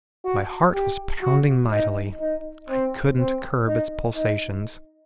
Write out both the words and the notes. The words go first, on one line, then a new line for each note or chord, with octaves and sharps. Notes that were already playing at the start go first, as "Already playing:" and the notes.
My heart was pounding mightily. I couldn't curb its pulsations.
F#4
G4
F#4
D#4
D#4
C4
C4
D#4
D#4